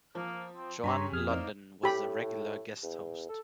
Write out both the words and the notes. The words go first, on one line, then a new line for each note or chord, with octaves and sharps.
Joan Lunden was a regular guest host.
F3 A#3
C4
G2 G4 C#5 G#5 A#5 C6 B6
F2 G#4 F6
A#3 C4 D#4 D5
A2 G4 B5
E2
A4